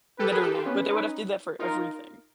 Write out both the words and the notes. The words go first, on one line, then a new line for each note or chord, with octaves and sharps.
Literally, but they would have did that for everything.
G4 A4 B4
G#4 A#4
G4 A4
F4 G4
B3 C#4 B4
C#4 D#4
D#4 F4 A#4